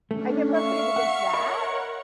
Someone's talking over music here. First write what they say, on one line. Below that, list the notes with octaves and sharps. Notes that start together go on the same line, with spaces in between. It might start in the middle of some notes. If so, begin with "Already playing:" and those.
I get frustrated with that,
A3 C#4 D4
E5 F5 C#6
F#5
A#4 C#5 D#5 F5 F#5 B5